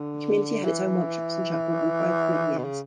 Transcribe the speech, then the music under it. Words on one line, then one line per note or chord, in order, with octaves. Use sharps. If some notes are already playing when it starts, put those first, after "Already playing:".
The community had its own workshops and chapel, and thrived for many years.
Already playing: D3
E3
B2
C#3